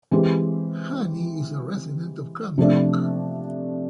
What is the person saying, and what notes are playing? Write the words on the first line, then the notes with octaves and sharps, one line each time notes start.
Hanni is a resident of Cranbrook.
E3 G#3 C4 E4 G4
C3 F3 A3 D4